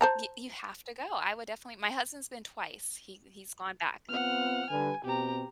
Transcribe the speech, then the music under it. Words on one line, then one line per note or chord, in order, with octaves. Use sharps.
Y you have to go, I would definitely my husband's been twice, he he's gone back.
C5 A5 A#5
B3 C4 F4 F#5 F6
D3 G3 B4 G#5
B2 C4 G4 A#5